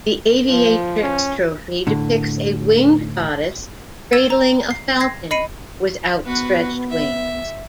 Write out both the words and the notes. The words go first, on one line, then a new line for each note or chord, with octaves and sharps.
The aviatrix trophy depicts a winged goddess cradling a falcon with outstretched wings.
F3
C#4
A2 D3
E6 G#6 A6 E7
A#5
C7
G#6 A#6 C7
D#5 B5 C7 C#7 D#7
B3 F#4 B4
E5